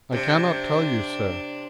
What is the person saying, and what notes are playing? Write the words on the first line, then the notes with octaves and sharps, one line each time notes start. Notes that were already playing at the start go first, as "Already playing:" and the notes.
"I cannot tell you, sir."
C3 D4